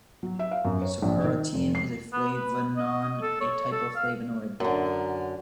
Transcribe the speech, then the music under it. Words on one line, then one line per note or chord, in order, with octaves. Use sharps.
Sakuranetin is a flavanone, a type of flavonoid.
F#3
E5
F5
F#2
C#5
A#1
D#3
F1
C7
B3
B4
D#5
A4
C#5
A4
F5
F#2 D3